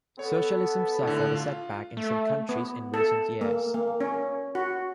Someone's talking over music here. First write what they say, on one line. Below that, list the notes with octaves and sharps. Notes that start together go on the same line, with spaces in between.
Socialism suffered a setback in some countries in recent years.
B3 A4 C#5
A2 D3
F4
A3
B3
A4
A#3
A#3
C#4
F#4